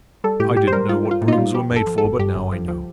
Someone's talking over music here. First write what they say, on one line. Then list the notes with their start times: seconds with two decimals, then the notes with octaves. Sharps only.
I didn't know what broughams were made for, but now I know.
0.24 G3 A4
0.40 A2 G4
0.57 A2 G4
0.67 C5
0.73 G3 A#4
0.89 G3 F4
1.05 G3
1.11 F4
1.21 A2
1.28 D#4
1.32 F4
1.38 G3
1.54 F3 G4
1.70 G1
1.76 A4
1.87 F3
1.98 A4
2.03 G1
2.19 G2 G4
2.35 G1
2.52 F3
2.68 F3